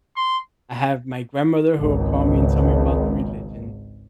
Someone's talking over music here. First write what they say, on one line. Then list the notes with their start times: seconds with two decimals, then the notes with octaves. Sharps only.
I have my grandmother who will call me and tell me about the religion.
0.16 C6
1.79 G#1 C#2